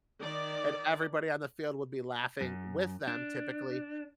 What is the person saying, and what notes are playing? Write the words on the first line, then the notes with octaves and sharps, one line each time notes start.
and everybody on the field would be laughing with them typically.
D#3 D5
F#2
D4